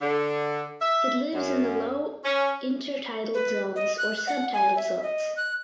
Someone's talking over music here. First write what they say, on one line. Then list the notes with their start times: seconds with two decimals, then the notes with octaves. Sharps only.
It lives in the low intertidal zones or subtidal zones.
0.01 D3
0.81 E5
1.34 F#2
2.24 C#4
3.34 B4
3.76 D#5
3.98 F#6
4.27 F#5
4.54 G#5
4.76 E5
5.03 D#5
5.37 F#6